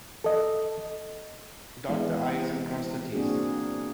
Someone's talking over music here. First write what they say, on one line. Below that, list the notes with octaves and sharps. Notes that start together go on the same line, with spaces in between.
Dot the I's and cross the T's.
A4 D#5
E3 G#3 B3 E4
A#3 C4 D4 F#4 G#4